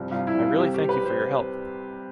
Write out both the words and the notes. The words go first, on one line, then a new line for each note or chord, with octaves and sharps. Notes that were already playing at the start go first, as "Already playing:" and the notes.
I really thank you for your help.
Already playing: C2 G2 F3
C2 F4
E4
C2
F4
C3 G4
G4
C4
B4
G3 C5